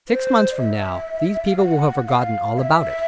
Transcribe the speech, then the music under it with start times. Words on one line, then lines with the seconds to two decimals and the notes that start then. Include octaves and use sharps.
Six months from now these people will have forgotten all about it.
0.09 C5
0.52 D#5
0.57 E5
1.46 F5
1.57 F#5
2.07 F5
2.56 E5